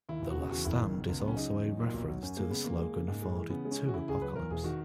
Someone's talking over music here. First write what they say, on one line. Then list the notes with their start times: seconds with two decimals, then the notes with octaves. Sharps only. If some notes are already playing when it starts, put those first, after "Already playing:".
'The Last Stand' is also a reference to the slogan afforded to Apocalypse.
0.09 D#2 E4
0.22 E1
0.30 F#4
0.37 C#3
0.51 E2 F#4
0.65 F#1 E4
0.79 D#3
0.94 B2
1.08 C#2
1.20 F#3 B3
1.28 C#4
1.37 C#3 D#4
1.51 E2
1.66 F#3
1.80 A#2
1.93 B1
2.08 F#3
2.22 F#2 C#4
2.37 G#3 A#3
2.50 C#3 B3
2.64 E2 A#3
2.79 G#3
2.94 C#3
3.08 G#2
3.22 G#3
3.36 E3
3.50 C#3 B3
3.65 G#3
3.71 C#4
3.80 E3
3.88 F#4
3.93 C#3 E4
4.08 C#2 G#4
4.22 F#3 B4
4.35 E2 A#4
4.50 E1 G#4
4.64 D#3 F#4